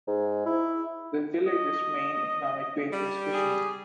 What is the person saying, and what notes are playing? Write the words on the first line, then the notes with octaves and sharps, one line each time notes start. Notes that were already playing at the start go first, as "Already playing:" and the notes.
The village's main economic base is fishing.
G#2
E4
D#5
G3
G#4